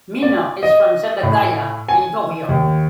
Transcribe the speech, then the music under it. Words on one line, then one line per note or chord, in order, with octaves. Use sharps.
Mino is from Setagaya in Tokyo.
D5
D#5
A2
G#5
D#2